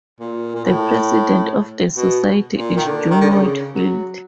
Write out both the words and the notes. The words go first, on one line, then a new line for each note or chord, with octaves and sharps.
The President of the Society is June Whitfield.
A#2
A#2
A2
B2
A#2
D#3
D3
D#3
D3
C#3
F#3